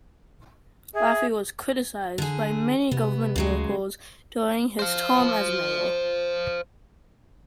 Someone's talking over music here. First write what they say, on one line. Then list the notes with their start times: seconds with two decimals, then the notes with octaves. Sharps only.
Laffey was criticized by many government workers during his term as mayor.
0.95 G#4 E5
2.18 D3 G#4
2.91 C3 B3
3.36 D2 C#3 F#3 G#3
4.79 C5 F5